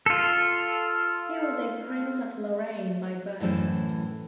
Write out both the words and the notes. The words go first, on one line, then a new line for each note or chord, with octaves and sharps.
He was a prince of Lorraine by birth.
F4 A4
F#2 A2 E3 A4 C5